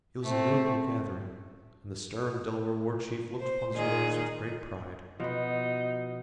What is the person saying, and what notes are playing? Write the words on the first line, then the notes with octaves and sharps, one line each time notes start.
It was a notable gathering, and the stern Delaware war-chief looked upon his warriors with great pride.
A3 C4
C5
A#2 D#3 D#4 G#4
B2 F3 B3 D#4